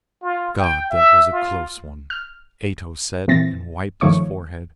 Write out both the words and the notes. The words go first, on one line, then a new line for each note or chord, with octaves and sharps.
"God, that was a close one," Ato said, and wiped his forehead.
F4
G5
E5
F4
F6
A#2 E3 C4 A6 A#6
G1 D#3 F3 A3 C#5 C#6